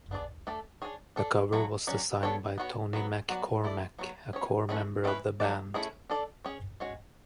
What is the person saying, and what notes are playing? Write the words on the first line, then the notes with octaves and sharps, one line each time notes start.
The cover was designed by Tony McKormack, a core member of the band.
B3 D4 G#4 D5
A3 D4 A4 D5
D4 G#4 C#5
D4 A4 D5
F#3 A3 E4
F#3 C#4 G#4 D5
B3 D4 A4 C#5
B3 F#4 C#5
F#3 B3 F#4 B4
F#3 B3 F#4 A4 D5
A3 E4 A4 D5
F#3 B3 F#4 A4 C#5
C#4 G#4 C#5
E3 A3 C#4 E4 G#4
E3 A3 C#4 E4 B4
F#3 A3 D5
A3 C#4 E4 G#4
D4 A4 D5
C#4 G#4 C#5
G#3 C#4 F#4 C#5